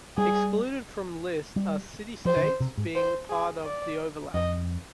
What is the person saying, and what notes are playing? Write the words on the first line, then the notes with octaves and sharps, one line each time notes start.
Excluded from list are city-states being part of the overlap.
G3 G#4
G3
F3 C5
D3
D#3
C3
G#2
C5
G#4
D5
F2 D#5